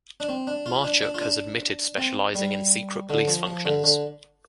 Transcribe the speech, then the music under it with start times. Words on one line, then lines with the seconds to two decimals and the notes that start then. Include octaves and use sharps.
Marchuk has admitted specializing in secret police functions.
0.20 D4
0.29 C4
0.47 D4
0.66 F4
0.84 D4
1.02 D4
1.15 F4
1.21 D4
1.97 C4
2.35 G3
3.10 D3
3.27 F3
3.47 F3
3.65 D3
3.84 D3